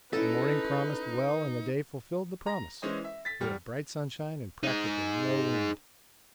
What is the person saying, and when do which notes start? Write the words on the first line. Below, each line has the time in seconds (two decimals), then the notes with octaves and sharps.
The morning promised well and the day fulfilled the promise: we had bright sunshine and practically no wind.
0.13 C#4 D#4 E4 A4 B4
2.46 A#5 A#6
2.82 E3 G#3 C#4 C5 D#5
3.04 E5
3.25 A6 B6
3.40 E2 G3 F6
4.63 D#4 G#4